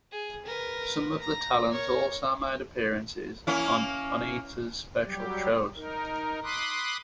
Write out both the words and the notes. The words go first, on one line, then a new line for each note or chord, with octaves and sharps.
Some of the talent also made appearances on Onita's special shows.
G#4
A#4 B4
A#5
A#4 C#5
A#3 C#4 E4
F#3 G3 G4
D#4 A#4
B5 C6 D6 D#6 F#6